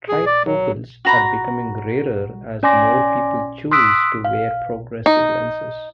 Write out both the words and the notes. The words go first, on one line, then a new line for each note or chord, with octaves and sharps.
Trifocals are becoming rarer as more people choose to wear progressive lenses.
G#4
D5
F#3
F#4 A#5 B5
C#4 D5 G#5 C6 D6 A#6
C6 D#6 E6 F#6 B6 D7
F5
D#4